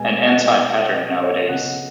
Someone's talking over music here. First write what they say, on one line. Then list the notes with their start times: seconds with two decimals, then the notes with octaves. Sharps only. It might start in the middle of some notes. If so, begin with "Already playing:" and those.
An anti-pattern nowadays.
Already playing: B2 G#3 B3 G#5
0.27 F#5
0.95 D#5
1.22 C#5
1.49 C#3 B3 F#5